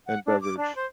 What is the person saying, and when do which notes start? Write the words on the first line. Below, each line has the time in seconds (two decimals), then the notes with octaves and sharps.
and beverage.
0.07 F#5
0.26 D4
0.41 D6
0.58 D4
0.75 C5